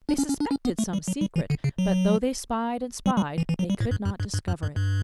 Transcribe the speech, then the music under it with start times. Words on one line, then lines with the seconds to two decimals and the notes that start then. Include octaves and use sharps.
They suspected some secret, but though they spied and spied, they could not discover it.
0.09 D4
0.18 C#4
0.29 C#4
0.40 D4
0.51 C#4
0.65 B3
0.79 A3
0.93 G3
1.08 F#3
1.21 G3
1.36 E3
1.50 D3
1.64 C#3
1.78 F#3
3.06 G3
3.17 G3
3.38 E3
3.49 E3
3.59 F#3
3.70 G3
3.80 A2
3.91 G2
4.05 F#2
4.20 G2
4.34 G2
4.48 F#2
4.63 G2
4.76 G2